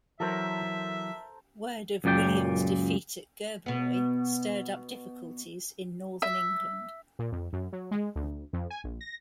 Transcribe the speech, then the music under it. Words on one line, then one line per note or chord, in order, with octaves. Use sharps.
Word of William's defeat at Gerberoi stirred up difficulties in northern England.
E3 F#3 A4 A#4 C5 E5
C#2 F#2 A#2 D5 G5
B2 B3
E5
A#2
F2
F#2
F#3
G#3
D2
F2
G#5
A#1
A#6